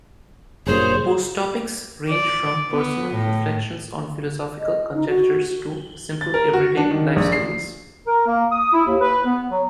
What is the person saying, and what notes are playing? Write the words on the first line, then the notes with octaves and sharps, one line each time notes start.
Post topics range from personal reflections on philosophical conjectures to simple everyday life stories.
F#1 G2 A#2 G#4 C5 C#5
D5
B3
A2
D#5
D#4
F#4
A6
A#4
F#4
D4
D#3
A#1
C7
A#4
A#3
D#6
E4
D#2
B4
B3
F#3